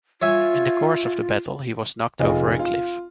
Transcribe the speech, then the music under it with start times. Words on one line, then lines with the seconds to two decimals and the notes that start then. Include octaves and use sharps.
In the course of the battle he was knocked over a cliff.
0.22 F4 C#5 E5 G#5
2.19 F1 F4 G#4 D#5
2.59 F4